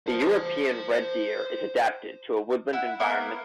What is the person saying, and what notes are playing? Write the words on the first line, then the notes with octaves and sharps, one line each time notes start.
The European red deer is adapted to a woodland environment.
C5 A5
E4 E5 F#5
A#3 B3 E4 A#4